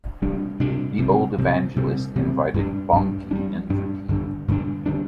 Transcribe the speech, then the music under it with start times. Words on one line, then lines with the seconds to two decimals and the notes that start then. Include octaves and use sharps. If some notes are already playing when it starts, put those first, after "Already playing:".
The old evangelist invited Bonnke in for tea.
0.22 C3 G3 D4
0.60 C3 G3 D4
0.99 C3 G3 C4
1.38 C3 G3 C4
1.76 C3 G3 C4
2.16 C3 G3 C4
2.54 G2 G3 D4
2.93 G2 G3 D4
3.31 G2 G3 D4
3.70 G2 G3 D4
4.09 G2 D3 G3 D4
4.48 G2 D3 G3 D4
4.86 D3 G3 D4